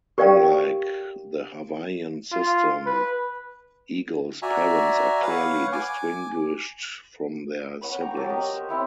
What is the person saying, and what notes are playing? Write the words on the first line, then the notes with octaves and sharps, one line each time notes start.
Unlike the Hawaiian system, Ego's parents are clearly distinguished from their siblings.
G4 A#4 D5 F5 G5
F4
B4
F#4 D5 E5 G#5 A#5
B4 C#5 F5 F#5
G#5 D6
B4 C#5 F#5 B5
G5 A#5 C#6 D6
F#3 A5 D6
G4 A#4 D#5 C#6
C5
C4 E4 C#5